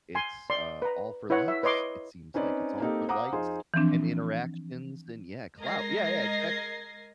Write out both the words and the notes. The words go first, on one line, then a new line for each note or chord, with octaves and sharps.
it's, uh, all for likes, it seems, like, it's all for likes and interactions, and yeah, clout, yeah, yeah, exactly,
G#5 C6
D5 C6
B4 A#5
E4 B4 C#5 F#5
E5
B4 C#5 D#5 C6 D6
C4 C#4 D#4 B4 D5
A#3 C4 D#4 G4 A4
C5 F5 F#5 A#5 D6 D#6
F2 D#4 F4 G#4 C5 C6
E3 F3 C4 D4
G#3 A#4 D#5 G#6 A#6 C7